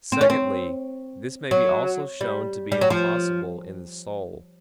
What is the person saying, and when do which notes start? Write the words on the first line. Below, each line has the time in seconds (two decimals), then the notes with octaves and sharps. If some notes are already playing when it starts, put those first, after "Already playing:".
Secondly, this may be also shown to be impossible in the soul.
0.12 C4
0.21 C#4
0.30 C4
1.51 F#3
2.21 G3
2.72 G3
2.81 F#3
2.90 F3